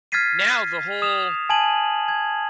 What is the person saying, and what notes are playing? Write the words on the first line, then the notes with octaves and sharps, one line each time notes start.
now the whole
F6 G#6 A6 B6 C7 D#7
D#6 E7 F7
G#5 A5 G#6 D#7 F#7
G#6